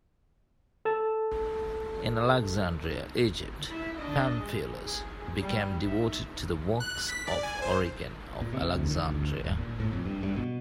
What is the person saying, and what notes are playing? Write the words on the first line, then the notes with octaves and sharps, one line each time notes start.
In Alexandria, Egypt, Pamphilus became devoted to the works of Origen of Alexandria.
A4 A5
E4 E5
D4 D#5
G#3
G#4
G3
D#4 E5
F#6
B6
D5
G#5
C5
A#2
C3
D2
D#3
D2
D#1
A#2
A2
F2
G2
G2
B2